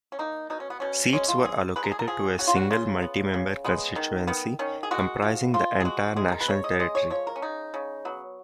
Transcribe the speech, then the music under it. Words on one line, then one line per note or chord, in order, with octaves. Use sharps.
Seats were allocated to a single multi-member constituency comprising the entire national territory.
C#4
A#3 D#4
B2 D#4
C#4
B3
B2 C#4
G#3 C#4
F4
G#3 G#4
G#3 B4
A#4
G#4
A#4
F3 G#4
C#3 F#4
F4
F#4
C#3 F4
B3
C#3
G#3 B3
D#3
D#3 B3
D#3 C#4
G#4
G#3 F#4
F3
F3 F4
G#4
G#3 F#4
G#3 G#4
G#4
A#4
B4
C#3 C#5
D#5
G#3 D#5
C#5
F3 C#5
A#4
C#4
C#3 D#4
C#3
F#3 B3